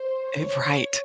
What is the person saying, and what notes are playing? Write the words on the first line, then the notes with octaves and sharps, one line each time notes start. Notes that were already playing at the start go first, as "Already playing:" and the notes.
It right.
Already playing: C5
C#5